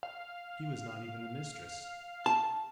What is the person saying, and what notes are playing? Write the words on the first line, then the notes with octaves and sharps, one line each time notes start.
She was not even the mistress.
F5
A5